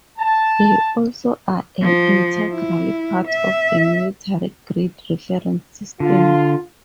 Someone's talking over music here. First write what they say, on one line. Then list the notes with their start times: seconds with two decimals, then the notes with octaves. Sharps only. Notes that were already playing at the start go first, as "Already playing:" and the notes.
They also are an integral part of the military grid reference system.
0.19 A5
1.82 F3
2.52 E4
3.27 E5
6.00 D3 F4